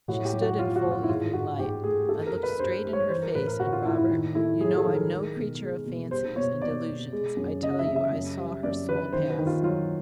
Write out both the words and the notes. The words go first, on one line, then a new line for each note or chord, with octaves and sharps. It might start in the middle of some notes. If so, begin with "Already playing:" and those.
She stood in full evening light, I looked straight in her face, and Robert, you know I'm no creature of fancies and delusions, I tell you I SAW HER SOUL PASS.
A2 F#4
G4
F#3
F#4
F#3 F4
F#4
A2
F4
E4
G#2 F4
G#2 F#4
G#2 G4
A3 G#4
G2 A4
A#4
G2
B4
G2 C5
G3
C#5
E3 C5
A#4
A2 B4
A#4
A2 F#4
F4
A2 E4
E4
D#3
A3 E4
F#3 G#4
A4
D#3
A#4
G#3
B2
G#3
B2
G3 C5
B2 C#5
B2 D5
B2
G#3
F#2
C#3 D#5
E5
C#3
E5
F#2
G3
F#2 D5
D3 B4
D#3 C5
B4
D#3
F4
F#3 F4